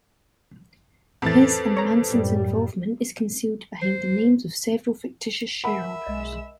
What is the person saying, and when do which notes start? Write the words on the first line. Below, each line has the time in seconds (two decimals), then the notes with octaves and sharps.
His and Manson's involvement is concealed behind the names of several fictitious shareholders.
1.22 F2 A2 E3 A4 B4 C5 A6
1.77 C#5 A#5
2.10 F#2 A2 G3
3.82 C5
5.64 A#4 E5 F#5 G#5 B5
6.07 B1 G#3 D#5 E7